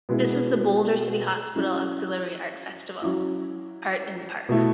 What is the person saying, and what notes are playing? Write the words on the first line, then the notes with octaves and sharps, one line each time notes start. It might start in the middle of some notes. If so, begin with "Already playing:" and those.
This was the Boulder City Hospital Auxiliary art festival, Art in the Park.
B2 G#3 B3 E4
F#3 C#4 E4
F#3 C#4 E4
B2 A3 E4